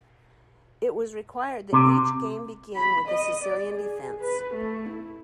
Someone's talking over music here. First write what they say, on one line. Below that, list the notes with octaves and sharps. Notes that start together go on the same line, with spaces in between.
It was required that each game begin with the Sicilian Defense.
C3
B5
D#5
D5
G#4
B4
A3
E4